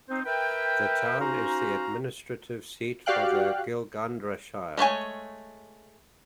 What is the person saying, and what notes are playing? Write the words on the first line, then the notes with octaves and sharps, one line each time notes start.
The town is the administrative seat for the Gilgandra Shire.
C4 D#4 C5
A#4 B4 E5 G5
C#4 D#4 F#4 C5 F5 A#5
F#4 G4 D5 F5 G5 F#6
G#3 A3 C#5 G#5